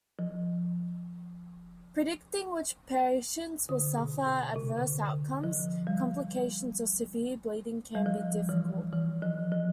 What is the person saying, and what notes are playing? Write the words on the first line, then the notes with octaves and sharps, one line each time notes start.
Predicting which patients will suffer adverse outcomes, complications or severe bleeding can be difficult.
F3
D3
B2
B2
C3
D3
D3
F3
G3
G3
F3
E3
E3
F3
F3